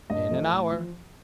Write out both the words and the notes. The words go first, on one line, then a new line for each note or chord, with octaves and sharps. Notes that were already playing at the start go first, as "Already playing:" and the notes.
"In an hour."
G2 D#5
F3 A3
A2
F3